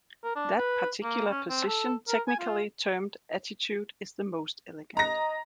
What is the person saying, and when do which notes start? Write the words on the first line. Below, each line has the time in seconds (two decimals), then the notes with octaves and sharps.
That particular position technically termed attitude is the most elegant.
0.23 A#4
0.36 D4
0.58 B4
1.03 A#3
1.30 C#4
1.50 C4
1.67 A4
2.09 A#4
2.28 G#5
2.39 F4
4.97 D#5 A#5 A#6